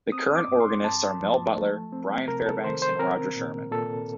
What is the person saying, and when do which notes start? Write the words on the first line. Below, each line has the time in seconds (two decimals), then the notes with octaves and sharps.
The current organists are Mel Butler, Brian Fairbanks, and Roger Sherman.
0.12 C4 D#6
0.36 D6
0.48 G2
0.60 C6
0.84 G2 A5
1.21 F3
1.56 A3
1.92 C4
2.28 C3 A#4
2.46 A4
2.64 D#3 C5
2.82 C5
2.99 C4 A#4
3.36 A#2
3.71 A#2 A4